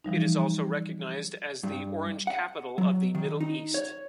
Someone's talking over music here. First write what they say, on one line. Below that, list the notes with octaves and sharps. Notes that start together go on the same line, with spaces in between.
It is also recognized as the orange capital of the Middle East.
E3 F3 G3 D#4
G2
F#5
F#3
D#3
D#4
C#5